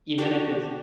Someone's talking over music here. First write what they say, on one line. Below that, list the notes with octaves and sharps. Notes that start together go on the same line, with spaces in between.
Even if it's
D4 F#4 G4